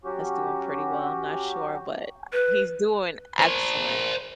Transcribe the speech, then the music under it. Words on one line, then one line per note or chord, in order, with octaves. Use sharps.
that's doing pretty well, I'm not sure, but he's doing excellent.
F#3 C#4 F#4 G4
B4
A#4 C5